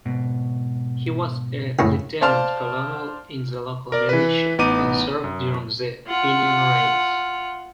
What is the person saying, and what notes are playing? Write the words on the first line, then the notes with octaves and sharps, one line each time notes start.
He was a lieutenant-colonel in the local militia and served during the Fenian raids.
G#2 B2
C#2 F#2 A2
C5 D5 F5 A5 C6 F6
A#4 D5
E3 B4
A1 B3 D#4 D6 D#7
F#2
F4 F#5